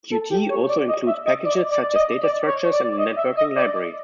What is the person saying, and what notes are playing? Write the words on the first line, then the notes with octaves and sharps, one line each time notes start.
Qt also includes packages such as data structures and a networking library.
A4
G4
C#5
D5
D#5
E5
D#5
D5
D5
D5
D#5
D5
C#5
D5
D#5
E5
D#5
D5